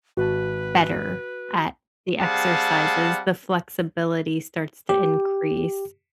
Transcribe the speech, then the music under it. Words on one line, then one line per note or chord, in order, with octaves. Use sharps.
better at the exercises, the flexibility starts to increase,
G#1 F#4 B4 A5
G3 C4 G#4 F5 F#5 A5
G4